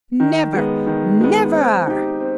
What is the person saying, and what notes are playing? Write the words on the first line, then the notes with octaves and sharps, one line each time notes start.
Never, NEVER!'
D#3
G#3 B3
D#3
G#3 B3
C4
D#4 G4
C4